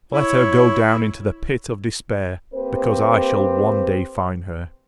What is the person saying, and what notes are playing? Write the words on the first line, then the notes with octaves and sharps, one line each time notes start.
"Let her go down into the pit of despair, because I shall one day find her."
E4 C#5
A#3 C4 G4 B4 C5